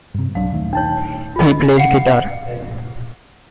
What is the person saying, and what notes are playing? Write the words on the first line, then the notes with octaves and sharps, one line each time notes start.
He plays guitar.
G2 C3
B1 F#3 D4 F5
D#1 D#3 A3
D4 D#4 C#5
F4 D#5
F5 F#5